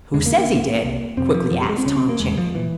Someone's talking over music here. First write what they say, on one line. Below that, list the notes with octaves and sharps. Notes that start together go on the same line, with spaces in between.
"Who says he did?" quickly asked Tom Channing.
E2 C#3 G#3
A#3
A#3
C2 C3
C2 C3
F2 C3 C4
F3
F2 C3 F3
G3
G#3
C4
C#2 C#3 C#4
C4
A#3
E2 C#3 G#3
F3
A#2 E3